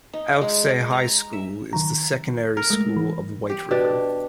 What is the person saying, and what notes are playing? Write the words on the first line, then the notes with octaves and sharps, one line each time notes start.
Alchesay High School is the secondary school of Whiteriver.
D#4
G#3
A#5
E5
D#3 F#3 A#5
A#4
G#3 A3
E3
G4
B2 D4 G4